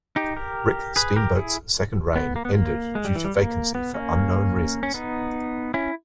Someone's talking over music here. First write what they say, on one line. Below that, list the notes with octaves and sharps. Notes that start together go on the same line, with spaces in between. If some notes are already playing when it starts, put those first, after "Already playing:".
Rick Steamboat's second reign ended due to vacancy for unknown reasons.
D#4 G4
G4 A#4
G#4 B4
G4 A#4
E4 G#4
B3
A#3
B3
A#3
G#3
G3
E3
G3
A#3
B3
A#3 C#4
C#4
B3 D#4
C#4 E4